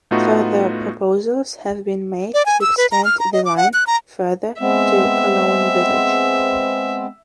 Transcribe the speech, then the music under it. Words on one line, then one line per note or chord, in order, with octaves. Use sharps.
Further proposals have been made to extend the line further to Coloane Village.
A2 A3 B3 D#4 F4 F#4
D5
G#5
E6
B4
A#5
F6
A#5
D#5
D6
F#5
F#6
A#5
G#3 B3 C4 E5